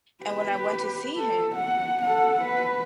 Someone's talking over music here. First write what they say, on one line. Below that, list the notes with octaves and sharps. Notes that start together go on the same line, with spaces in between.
And when I went to see him
G4 B4
A4
F#5
A4 F#5
B4